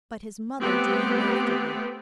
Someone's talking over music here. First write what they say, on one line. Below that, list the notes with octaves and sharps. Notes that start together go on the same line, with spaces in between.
But his mother drew him after her.
A3 B3 C4 G4